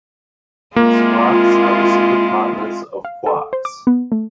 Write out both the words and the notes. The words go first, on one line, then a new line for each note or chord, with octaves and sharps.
Squarks are the superpartners of quarks.
G#3 A#3 C4 E4 F4
F5
A4
C5
D6
B3
A3